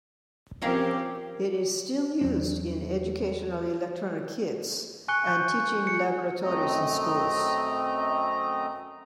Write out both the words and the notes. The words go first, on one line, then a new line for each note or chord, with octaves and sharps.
It is still used in educational electronic kits and teaching laboratories in schools.
F3 C4 C#4 G4 A#4 F5
E2 F#3 C#4 D4
G#5 C#6 F#6 C#7 G7
G#5 C#6 G6 A6
C#7
F#2 A3 C4 D#5 A#5